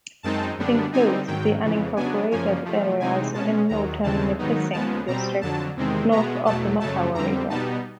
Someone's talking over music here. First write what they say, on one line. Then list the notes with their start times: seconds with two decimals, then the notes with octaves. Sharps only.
It includes the unincorporated areas in northern Nipissing District north of the Mattawa River.
0.23 F#2 D#3 G#3 C4 D#4 A5
0.58 F#2 D3 G3 B3 D4
0.92 D3 G3 C4 D#4 G#5
1.27 G#2 D#3 F#3 G5
1.61 F2 C#3 E3
1.96 C#3 F#3 B3 D4 G#5
2.31 F#2 C#3 F3 A#3 C#4 G#5
2.65 C3 F3 A3
3.00 C3 E3 G#3 C4 D#4 G#5
3.34 B2 G#3 C#4 A5
3.69 D#2 D#3 F#3 A#5
4.03 D#2 C#3 E3 G#3 C4 A5
4.39 G#2 D#3 F#3 B3 D#4
4.73 D#2 C#3 F3 G#3 B3 A5
5.07 B2 G3 C4 A#5
5.41 F2 D3 F#3 A5
5.76 E2 C3 D#3 G#3 C4
6.11 B2 G#3 B3 A#5
6.45 E2 B2 F#3 A3 A5
6.80 F#2 C#3 F#3 A3 A5
7.14 F2 D3 G3 C4 A#5
7.50 B2 G3 B3 D#4 A5